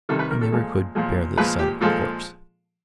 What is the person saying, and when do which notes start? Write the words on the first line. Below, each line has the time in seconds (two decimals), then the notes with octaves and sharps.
He never could bear the sight of a corpse.
0.09 C3 D#3 G3 A4
0.19 B4
0.31 A#4
0.41 A4
0.52 A#2 F3 G#3
0.95 A#2 F3 G#3
1.37 A#2 F3 G#3 B4
1.59 G4
1.81 A#2 F3 G#3 A4